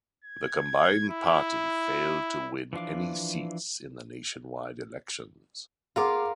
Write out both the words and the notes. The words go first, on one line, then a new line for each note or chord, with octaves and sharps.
The combined party failed to win any seats in the nationwide elections.
G#6
E4
E3 F3 D4 F5 D6
F4 G#4 A#4 F5 F#5 D6